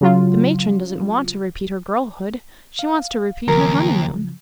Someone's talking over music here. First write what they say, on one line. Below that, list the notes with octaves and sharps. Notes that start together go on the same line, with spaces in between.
The matron doesn't want to repeat her girlhood--she wants to repeat her honeymoon.
C#3 F#3 F4
F5
D#2 C#3 F3 F#3 A#4